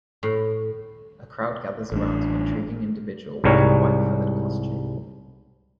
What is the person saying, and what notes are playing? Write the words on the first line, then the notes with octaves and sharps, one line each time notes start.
A crowd gathers around an intriguing individual wearing a white feathered costume.
A2
A1 D4
C2 G#2 G3 A#4 C#5